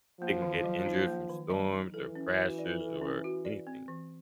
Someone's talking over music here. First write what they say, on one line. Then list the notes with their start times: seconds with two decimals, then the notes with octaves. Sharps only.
They can get injured from storms or crashes or anything.
0.21 F3 A#3
0.42 D#3
0.64 F#3
0.86 D#4
1.07 A#3
1.29 D#3
1.50 F#3
1.72 D#4
1.93 E3 A4
2.15 C#4
2.37 F#4
2.58 D5
2.80 A4
3.01 C#4
3.24 F#4
3.45 D5
3.67 C4
3.88 E3